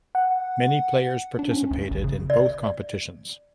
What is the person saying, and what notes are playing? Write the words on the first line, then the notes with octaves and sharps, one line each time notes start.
Many players participated in both competitions.
F#5
D4
C#4
D2
G#1
C#3
D5